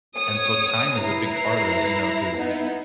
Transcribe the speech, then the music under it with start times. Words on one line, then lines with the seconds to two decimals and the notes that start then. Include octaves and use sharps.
And so time is a big part of that, you know, 'cause,
0.16 C#5 D#6
0.98 E4 B4 A#5 C7
2.37 B3 D#4 E4